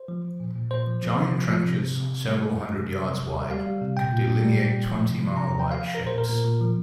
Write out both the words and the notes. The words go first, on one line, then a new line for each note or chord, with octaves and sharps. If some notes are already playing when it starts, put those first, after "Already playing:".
Giant trenches several hundred yards wide could delineate twenty-mile-wide shapes.
Already playing: C5
F3
F3
A#2
A#2
A#2 C5
F3
F3
C3
F3
F3
C3
C3
C3
C3
G3
G3
G3
C3
G3
C3
C3
G3
G3 F5
G3
C3
A#2 G5
A#2
A#2
G3
A#2
A#2
F3
C3
F3
C3 A#5
A#5
F3
G5
F3 F5
F3
A#4
A#2
C5
A#2 A#4
A#2
A#2
F3